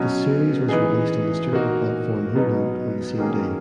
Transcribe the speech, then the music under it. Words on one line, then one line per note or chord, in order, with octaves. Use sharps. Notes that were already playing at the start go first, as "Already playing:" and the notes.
The series was released on the streaming platform Hulu on the same day.
Already playing: B2 F#3 C#4
E3 B3 D#4 G#4
A#2 A#3 D#4 F#4
B2 F#3 B3 D#4
D#3 F#3 A#3 C#4 G#4